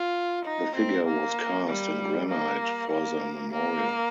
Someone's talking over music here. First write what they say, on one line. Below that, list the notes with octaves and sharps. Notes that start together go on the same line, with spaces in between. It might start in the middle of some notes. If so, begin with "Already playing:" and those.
The figure was cast in granite for the memorial.
Already playing: F4
D#4
C4
A#3
G3
A#3
A#3
A#3